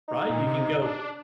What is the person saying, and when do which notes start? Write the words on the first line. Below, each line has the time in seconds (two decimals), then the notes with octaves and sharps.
Right? You can go
0.08 D#4
0.30 A#2
0.47 C3
0.82 D4